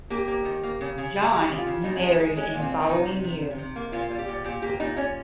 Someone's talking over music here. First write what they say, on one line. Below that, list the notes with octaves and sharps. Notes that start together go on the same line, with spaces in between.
John remarried in the following year.
A#3 G4
A#3
D#3
A#3
C#3
C#3
G#3
G#3 G4
C#3
F4
C#3
A#2 D#4
C#4
G#3
D#4
G#3
G#3 C#4
A#2
C4
A#2
C3 D#4
C3
C3
C3
C3
A#3
A#2 F4
G3
G4
A#2
A#2 G4
A#3 G4
A#2 D#4
A#2 C#4